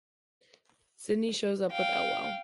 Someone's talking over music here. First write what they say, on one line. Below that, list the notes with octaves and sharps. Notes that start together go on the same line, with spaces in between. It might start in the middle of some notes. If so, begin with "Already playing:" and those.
Sidney shows up with Elwell.
F5 G5